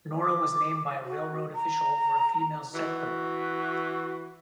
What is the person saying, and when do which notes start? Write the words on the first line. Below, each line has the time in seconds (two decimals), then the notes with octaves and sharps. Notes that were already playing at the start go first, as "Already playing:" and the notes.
Nora was named by a railroad official for a female settler.
0.20 D6
1.05 F#4
1.55 A#5
2.74 E3 F#4